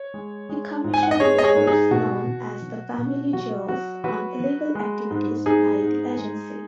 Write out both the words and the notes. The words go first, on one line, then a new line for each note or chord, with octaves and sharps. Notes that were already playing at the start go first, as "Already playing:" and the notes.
He commissioned reports-known as the "Family Jewels"-on illegal activities by the Agency.
Already playing: C#5
G#3
G#3
G#2
G#5
F#5
D#5
G#3 G#4 C#5
D#5
G#4 C#5
G#2
D#4 G#4
B2 F#4
B2
F#3
B2
F#3 F#4
F#3 F#4
F#3 F#4 B4
F#3
G#3
G#2
G#2 D#4 G#4
G#2
G#3